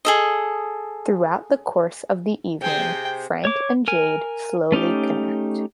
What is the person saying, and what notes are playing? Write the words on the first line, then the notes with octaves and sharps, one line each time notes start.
Throughout the course of the evening, Frank and Jade slowly connect.
G#4 A4 D#5
C3 G#4 C5 G5
C#5 D6
A#4 G#5
A3 C#4 D#4 G4